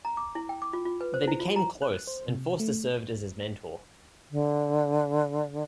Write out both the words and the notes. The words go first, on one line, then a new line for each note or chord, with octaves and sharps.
They became close and Forster served as his mentor.
A#5
D6
E4
G5
D6
F4
F4
B4
C5
E4
F4
A#5
F#6
C5
C3
A3
D3